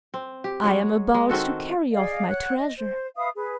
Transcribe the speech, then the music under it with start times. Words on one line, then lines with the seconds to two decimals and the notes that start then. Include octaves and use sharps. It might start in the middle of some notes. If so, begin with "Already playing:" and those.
I am about to carry off my treasure.
0.14 C4
0.44 G4
0.63 F#3 G#3 C#5
1.14 G#3
1.29 D#3 C4 F#4 A4
1.92 G#4 D5 D#5 F5
2.28 C#5 F#5 F#6
2.57 D#5
2.77 C5
3.16 B4 E5 F5 D#6
3.36 G#4 B4